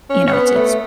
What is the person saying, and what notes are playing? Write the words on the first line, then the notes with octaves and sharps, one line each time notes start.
you know, it's it's
C#4
C#4
B3
A3